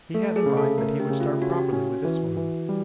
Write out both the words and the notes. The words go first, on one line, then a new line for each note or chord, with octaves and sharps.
He had in mind that he would start properly with this woman.
A3 A4
G#4
C#3
A4
A3 A#4
G4
C#3
F4
C#4 F#4
G4
F#4
C#4
E3
E3
G3